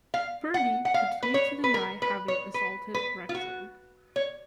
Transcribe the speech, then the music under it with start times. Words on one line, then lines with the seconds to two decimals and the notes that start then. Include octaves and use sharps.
Burdi continues to deny having assaulted Reckzin.
0.14 F5
0.54 F#5
0.85 F#5
0.94 F5
1.23 B4
1.34 C#5
1.64 B4
1.74 A#4
2.02 B4
2.28 C#5
2.54 B4
2.94 B4
3.29 F4
3.35 F#4
4.16 C#5